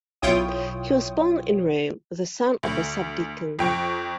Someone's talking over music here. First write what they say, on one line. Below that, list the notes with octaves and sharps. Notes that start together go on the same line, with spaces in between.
He was born in Rome, the son of a subdeacon.
B1 E4 F4 C#5 G5 D#6
D2
F2 G5 C#6